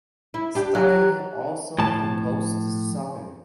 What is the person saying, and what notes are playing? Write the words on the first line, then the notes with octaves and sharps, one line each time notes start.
Stuckey had also composed the song.
E4
D4 G4
F#3 G4 A#5 F#6
A2 F3 A5